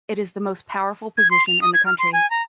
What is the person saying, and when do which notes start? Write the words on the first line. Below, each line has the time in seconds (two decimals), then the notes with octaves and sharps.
It is the most powerful position in the country.
1.18 G#6
1.31 C6
1.47 F7
1.62 D#6
1.74 G#6
1.86 F6
1.99 C6
2.13 G#5
2.31 A#5